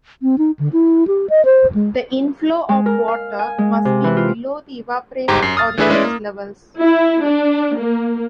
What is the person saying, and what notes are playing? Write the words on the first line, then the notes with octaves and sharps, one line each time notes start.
The inflow of water must be below the evaporation or use levels.
C4
D#4
D3
E4
G4
D#5
C5
G#3
G#3
A#4
F5
G#5
G#3
C3
E3
F4
G1 G#2 G4 C5 A#5
F#2 C7
D#6 F6 A6
E3 A3 D4 G#4 B4 E5
G#3 C#4 E4 B4 D5
A#3
E4
D4
A#3